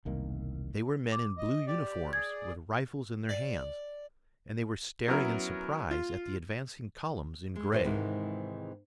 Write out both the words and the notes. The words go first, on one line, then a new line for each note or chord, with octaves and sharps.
They were men in blue uniforms with rifles in their hands, and they were staring in surprise at the advancing columns in gray.
E1 C2 D#3 A#3
D6
D#5
G4 D5
G#4 D5 G#6
D5
F#3 B3 C#4 E4 A#4
F4
G#3
A#2 E3 F#4 C5
G#2 C3 D#3 E3 G#3